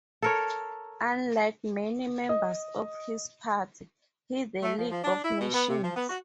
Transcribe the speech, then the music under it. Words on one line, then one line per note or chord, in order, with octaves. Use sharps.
Unlike many members of his party, he the League of Nations.
A4 A#4 C#5
D#5
A3
F3
F3
D4
E4
B2
B3
C3
F3
B3
F#4